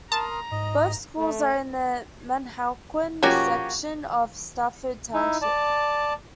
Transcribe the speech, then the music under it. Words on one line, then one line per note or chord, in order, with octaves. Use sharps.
Both schools are in the Manahawkin section of Stafford Township.
A#4 A5 A#5 C6 D#6
G#2 D#5
A3
F3 A#3 C#4 F#4 G4
D#4 E4
D5 A5